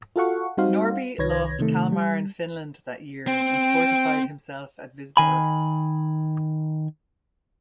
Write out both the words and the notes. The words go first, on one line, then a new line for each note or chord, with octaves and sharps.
Norby lost Kalmar and Finland that year, and fortified himself at Visborg.
F4 F#4 A4 F5 F#5 C#6
G3 C4 D#4 F#4 C5 F5
C2 D#3 B4 C#5 G#6 A#6
C3 D#3 A3
G3
C4 G5
D#3 G#5 B5